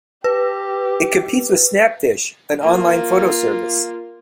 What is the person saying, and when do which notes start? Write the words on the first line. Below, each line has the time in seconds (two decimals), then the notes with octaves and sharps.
It competes with Snapfish, an online photo service.
0.24 G4 B4
2.61 A#3 F4